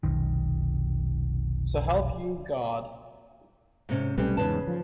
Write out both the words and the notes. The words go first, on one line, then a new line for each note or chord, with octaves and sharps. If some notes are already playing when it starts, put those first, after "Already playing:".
So help you God.
F1 B1 D#3
G#2 C3 C#4
B1 G3 A3 C4 C#4 B4
E2 G#2 C#3 B4 A5
F3